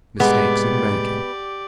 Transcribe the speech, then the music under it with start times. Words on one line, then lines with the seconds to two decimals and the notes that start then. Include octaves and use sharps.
Mistakes in Banking.
0.20 A2 C3 G3 G#3 B3 G4 D5